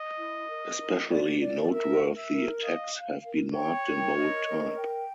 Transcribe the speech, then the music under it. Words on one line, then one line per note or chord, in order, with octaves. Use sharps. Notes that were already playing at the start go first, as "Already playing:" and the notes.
Especially noteworthy attacks have been marked in bold type.
Already playing: D#5
E4
A#4
A#4
D5
D5
A#4 E5
A#4
E5
A#4
D#5 F5
F5
A#4
C#5 G5
A#4
D#5
A#4
G5